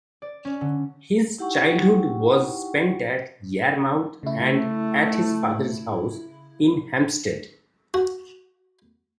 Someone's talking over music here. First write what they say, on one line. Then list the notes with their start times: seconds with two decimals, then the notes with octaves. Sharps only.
His childhood was spent at Yarmouth and at his father's house in Hampstead.
0.22 D5
0.45 C#4
0.61 D3
1.38 D#4 E4 G4 F#5 G5 C#6
4.23 C#3 A3 E4
7.94 F#4